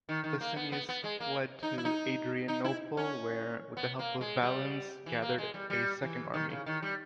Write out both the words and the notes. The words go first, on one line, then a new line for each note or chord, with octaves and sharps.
Licinius fled to Adrianople where, with the help of Valens, gathered a second army.
D#3
D#3
A#3
B3
B3
B3
G#3
A#3
D#4
E4
D#4
D#4
E4
C#4
B3
A#3
G#3
G3
E3
A#3
G#3
G3
G3
E3
D#3
C#3
D#3
G3